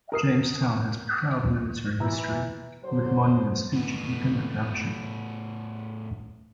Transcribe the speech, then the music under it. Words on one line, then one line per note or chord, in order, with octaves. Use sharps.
Jamestown has proud military history, with monuments featured within the township.
A#4 D#6 C7
E3 A#5 E6
D3 F#3 C5
A2 B3